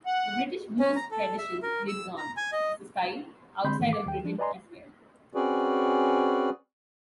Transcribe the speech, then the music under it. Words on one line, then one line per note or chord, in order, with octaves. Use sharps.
The British blues tradition lives on, as a style, outside of Britain as well.
F#5
C#4
A#5
A4
E5
A#4
E6
A#5
G#5
D#5
D3 G#3 C4 B5 C6 G6
G#2 D#3 E3 A3
D6
D#2 G5
F3 D4
B4 D5 D#5 G#5 A#5 C6
C4 C#4 F#4 G#4 B4 D5